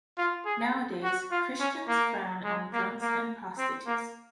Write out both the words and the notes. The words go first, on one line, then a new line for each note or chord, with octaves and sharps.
Nowadays Christians frown on drunks and prostitutes.
F4
G#4
F#4
F4
C#4
A#3
G#3
A#3
A#3
C4
A#3